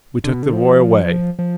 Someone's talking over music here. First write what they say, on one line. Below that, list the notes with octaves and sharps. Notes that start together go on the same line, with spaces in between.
We took the boy away.
D3
B2
D3
F3
F3